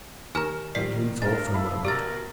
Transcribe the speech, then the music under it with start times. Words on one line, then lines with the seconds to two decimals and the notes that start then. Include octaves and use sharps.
Gwendolen thought for a moment.
0.35 D#2 A#4 G#5 F6 E7
0.75 D#3 F3 G3 D5 B6 C7
1.22 G2 G#3 D4 A#4 A6
1.54 E4 A4 F5 B5
1.85 D2 B2 G4 A#4 D5 E6 A6